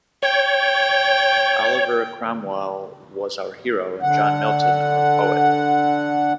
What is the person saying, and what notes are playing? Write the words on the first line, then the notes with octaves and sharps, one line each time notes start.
Oliver Cromwell was our hero and John Milton our poet.
C#5 G5
D3 F#5